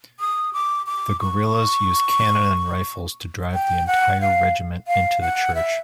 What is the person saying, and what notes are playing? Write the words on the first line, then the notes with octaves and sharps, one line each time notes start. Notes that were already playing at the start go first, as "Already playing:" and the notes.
The guerillas used cannon and rifles to drive the entire regiment into the church.
D#6
D6
D6
C#6
G5
F#5
F5
F5
F#5
E5